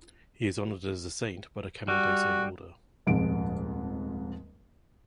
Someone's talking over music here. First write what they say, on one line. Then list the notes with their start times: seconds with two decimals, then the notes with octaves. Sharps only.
He is honored as a saint by the Camaldolese Order.
1.88 G3 F#4
3.07 D#1 F2 G#2 F3 G#3 D7